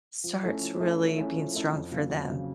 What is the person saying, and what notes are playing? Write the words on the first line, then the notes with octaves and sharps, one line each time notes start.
starts really being strong for them.
F3
A3 C#4 E4 A4
F3
A3 C#4 E4 A4
F3
A3 C#4 E4 A4
F3
A3 C#4 E4 A4
F2
C#3 F#3 A#3
F2
C#3 F#3 A#3